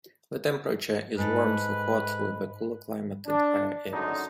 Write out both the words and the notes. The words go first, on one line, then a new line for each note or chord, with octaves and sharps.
The temperature is warm to hot, with a cooler climate in higher areas.
G#2 A4 B4
D4
F#2 D3 G#3 D4 D#4